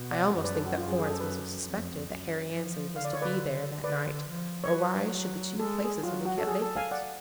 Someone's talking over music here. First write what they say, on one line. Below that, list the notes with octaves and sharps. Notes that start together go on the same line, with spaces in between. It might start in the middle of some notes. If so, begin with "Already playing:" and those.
I almost think that Florence must have suspected that Harry Annesley was to be there that night, or why should the two places have been kept vacant?
Already playing: B2
D5 F#5
F#2
B4 D5
A4
F#4
F4
G#4
G#4
A4
B4
F2
F#2
F3
D3 F5
D5
C#5
B4 D5
D3 B4 D5
F3
C#5
F#3 B4
G#3 A4
G#4
F#3 F4
F#4
A4
G#4
A4
F5 G#5
D5 F#5